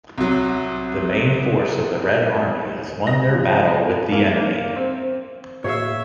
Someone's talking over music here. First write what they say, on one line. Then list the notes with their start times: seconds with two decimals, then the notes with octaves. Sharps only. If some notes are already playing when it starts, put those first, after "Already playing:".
The main force of the Red Army has won their battle with the enemy.
0.18 C2 F#3
3.07 A#6
3.35 F3
4.12 A#3
4.76 C4
5.64 A2 A#3 F#4 G#4 C#5 E5 F5